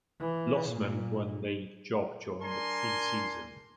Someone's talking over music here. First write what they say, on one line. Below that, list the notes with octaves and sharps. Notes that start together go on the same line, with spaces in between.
Losman won the job during the preseason.
E3
A#2
D4 A#4 G#5 C6